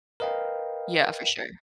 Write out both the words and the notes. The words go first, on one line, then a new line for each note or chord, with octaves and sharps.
Yeah, for sure.
A#4 B4 D#5 F5 G5